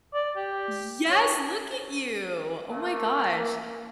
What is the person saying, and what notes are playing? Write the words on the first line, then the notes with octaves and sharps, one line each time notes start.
Yes, look at you. Oh, my gosh.
D5
G4
C#5
A3 A#3